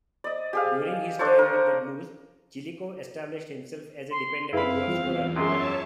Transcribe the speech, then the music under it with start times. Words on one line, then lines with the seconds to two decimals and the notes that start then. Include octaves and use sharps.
During his time with the "blues", Chilikov established himself as a dependable goal-scorer.
0.24 D5 D#5
0.53 G4 G#4 F5
1.19 D4 A4 C5 C#5
1.38 A#4
4.11 C6
4.53 F#2 C4 E4 G#4 B4 F5 B5
4.87 E2 E3 G3 F4
5.36 F#2 G#3 C#5 E5 A5 C6